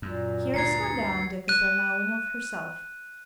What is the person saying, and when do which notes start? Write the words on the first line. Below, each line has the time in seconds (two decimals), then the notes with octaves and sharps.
Here is Madame de Kapernaumov herself.
0.02 F#2 A#2
0.54 D2 G2 A#5 G#6 C7 C#7
1.48 F#6 D#7